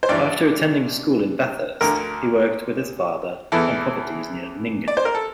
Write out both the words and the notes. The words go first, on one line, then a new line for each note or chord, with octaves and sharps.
After attending school in Bathurst, he worked with his father on properties near Nyngan.
C5
G2 E3 D5
D2 D3 A#4
E2 E3 A4
D5
C5
A#4
A4